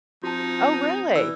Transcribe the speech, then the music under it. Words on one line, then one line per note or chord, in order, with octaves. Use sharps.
Oh, really?
F3 C4 D#4 F#4 A5 G#6
E3 D5 E6